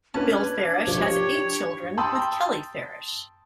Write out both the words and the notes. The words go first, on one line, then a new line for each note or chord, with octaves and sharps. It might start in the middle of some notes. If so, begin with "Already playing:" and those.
Bill Farish has eight children with Kelley Farish.
C#4 D4 B4 A5 G#6
C3 F3 A#3 G4 C#5
G5 A5 B5 C6 D#6 E6